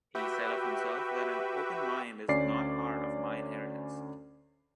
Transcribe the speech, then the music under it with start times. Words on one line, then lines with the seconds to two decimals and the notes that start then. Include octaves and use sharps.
He said of himself that an open mind is not part of my inheritance.
0.15 F#4 G4 B4 E5 G5
2.28 D2 C#4 D5 C7